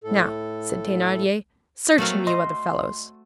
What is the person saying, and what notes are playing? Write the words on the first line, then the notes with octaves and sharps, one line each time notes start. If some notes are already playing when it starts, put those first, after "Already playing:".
"Now," said Thenardier, "search him, you other fellows!"
A2 A4
F#3 A3 A#3 C4 F#4 F5
D#5 C6